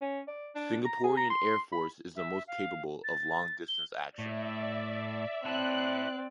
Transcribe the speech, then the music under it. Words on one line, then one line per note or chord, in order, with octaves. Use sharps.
Singaporean air force is the most capable of long distance action.
C#4
D5
D4
A#5
G#4
A#5
C6
B5
E5
F5
A6
G7
A2 D5 E5
C4 E4 D5 A5 F#6